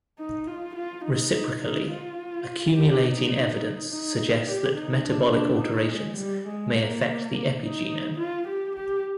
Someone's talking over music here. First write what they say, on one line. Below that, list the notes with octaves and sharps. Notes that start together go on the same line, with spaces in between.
Reciprocally, accumulating evidence suggest that metabolic alterations may affect the epigenome.
D#4
F4
F4
D#4
D#4
D#4
F4
G4
D#4
D#4
G4
D#4
D4
D4
D#4
G#3
G3
G#3
A#3
D#4
F4
G4
G4